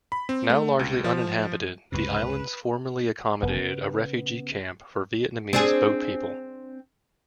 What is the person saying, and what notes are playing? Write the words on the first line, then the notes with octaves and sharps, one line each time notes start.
Now largely uninhabited, the islands formerly accommodated a refugee camp for Vietnamese boat people.
B5
C4
A3
C#2
F3
C#2 G2 C3 B4
F1 F2 B3
C#3
C4 D4 G#4